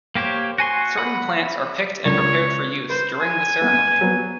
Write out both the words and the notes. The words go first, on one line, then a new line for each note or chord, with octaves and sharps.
Certain plants are picked and prepared for use during the ceremony.
A#3 G4 C5 C#5
F#4 G#5 C6 C#6
F#5 B5
C#2 D4 A#4 C#5
B4 C5
G#5
B3
F#3 B3